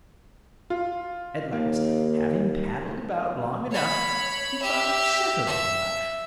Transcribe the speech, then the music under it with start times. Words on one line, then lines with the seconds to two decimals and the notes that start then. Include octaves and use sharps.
At last, having paddled about long enough, he thought of settling in life.
0.70 F4
1.53 D#2 A#3
3.71 C#5 B5
4.62 G4 E5
5.47 E5